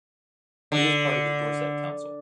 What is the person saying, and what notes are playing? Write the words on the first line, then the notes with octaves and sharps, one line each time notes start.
It is part of the Dorset Council.
D3